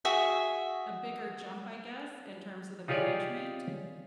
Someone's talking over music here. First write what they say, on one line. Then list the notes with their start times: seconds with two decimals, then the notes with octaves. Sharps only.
a bigger jump, I guess, in terms of the management.
0.05 F#4 G#4 E5
2.88 D#4 F4 G4 G#4 C#5 D5